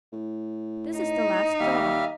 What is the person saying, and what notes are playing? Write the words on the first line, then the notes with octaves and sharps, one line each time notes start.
This is the last straw.
A2
D#4
D#2 G3 E5 F5